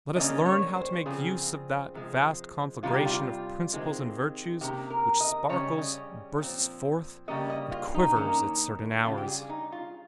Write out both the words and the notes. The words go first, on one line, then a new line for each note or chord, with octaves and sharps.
Let us learn how to make use of that vast conflagration of principles and virtues, which sparkles, bursts forth and quivers at certain hours.
C#3 G3 A#3 C#4 D#5
C#5
C5
C#3 F3 C4 G#4
C3 F3 G#3
C3 D#3 G3 F4
G4
F4
C3 D#3 G#3 C4
C3 D#3 A#3 C#4 G4
A#4
D#5
C#3 G3 C#4 C#5
D#5
A#2 F3 C4
C#3 G3 A#3 C#4 D#5
D#5
F4
D#4
D#3 A#3 C#4
C#3 G3 C#4 F4
G4
G#4
D#4
F4